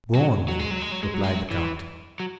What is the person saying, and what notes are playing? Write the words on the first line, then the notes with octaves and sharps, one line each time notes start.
"Go on, then," replied the count.
F#3
F#3
G#3
F#3
G#3
F#3
G#3
F#3
G#3
F#3
E3
F#3